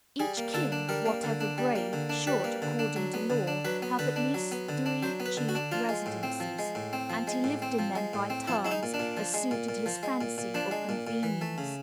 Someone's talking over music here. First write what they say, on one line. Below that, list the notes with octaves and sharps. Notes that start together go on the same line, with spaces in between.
Each king, of whatever grade, should, according to law, have at least three chief residences; and he lived in them by turns, as suited his fancy or convenience.
G3 G#4
A#3
D3 A4
D4
G3 A#4
A#3
D3
D4
G3
A#3
D3
D4
G3 B4
A#3
D3
D4
F#3
B3
D3
D4
F#3 B4
B3
D3 B4
D4
F#3
B3
D3
D4
F#3 C5
B3
B4
D3
F#4
D4
F3 F4
G#3
A2
C4
F3
G#3
A2
C4
F3
G#3
A2
C4
F3
G#3
A2
C4
F3 E4
G#3 E4
D#4
A#2
D4
A#2
F3
G#3
A#2
A#2
F3
G#3
A#2
A#2
F3 D4
G#3
A#2
A#2
E3
A3
C#3